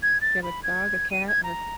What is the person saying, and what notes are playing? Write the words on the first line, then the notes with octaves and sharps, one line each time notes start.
do you have a dog, a cat, or
G#6
A6
B5
G#6
D#7
G#6
A#5